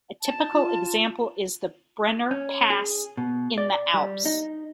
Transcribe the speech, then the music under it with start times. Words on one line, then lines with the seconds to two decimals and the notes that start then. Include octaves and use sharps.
A typical example is the Brenner pass in the Alps.
0.22 A5
0.54 F4
2.31 C#4
2.70 G#4
3.17 B2
3.58 D5
3.94 G3
4.25 D#4